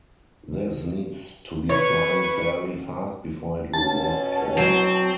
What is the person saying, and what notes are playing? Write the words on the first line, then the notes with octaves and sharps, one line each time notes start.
This needs to be flying fairly fast before it will work at all.
B4 C#5 C#6
B2 C#4 A5
F#3 C4